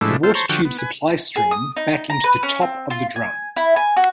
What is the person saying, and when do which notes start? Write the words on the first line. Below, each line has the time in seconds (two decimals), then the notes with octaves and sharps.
The watertubes supply steam back into the top of the drum.
0.01 A2 F3 G#3 A3 D4 E4
0.23 C4 F4 A4 C5
0.35 C5 C#5 A5 A#5 C6 C#6
0.49 D3 F3 F#4 G5 C#6
0.65 B3
0.78 B4 G#5
1.36 G#4
1.51 D#6
1.77 D#4
2.10 A#5
2.24 B4
2.43 C#4
2.62 C4
2.90 F4
3.16 G#5
3.56 E4
3.76 G#5
3.97 F#4